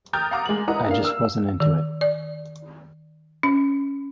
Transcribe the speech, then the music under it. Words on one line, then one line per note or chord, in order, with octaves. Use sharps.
I just wasn't into it...
G5 A#5 D#6 F6 G6 A6
F5 F#5 A#5 D6 D#6
G#3 F#7
E4 B4 D#5 F#5 A#5 D#6
A#3 D4 F5
E6
D#3
D5
C#4